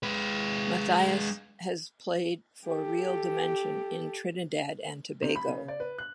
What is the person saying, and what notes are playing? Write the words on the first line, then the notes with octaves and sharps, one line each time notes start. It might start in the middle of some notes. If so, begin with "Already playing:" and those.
Matthias has played for Real Dimension in Trinidad and Tobago.
G#3 B4
G4 A4
C3
B5
C#3
D5
B4
F#6